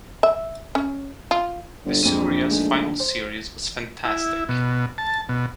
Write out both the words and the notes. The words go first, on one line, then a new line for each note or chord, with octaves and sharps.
Licuria's final series was fantastic.
E5
C#4
F4
G1
A#1 F2 D#7
G#3 A3 D#4
C5
E4
B2
A5
B2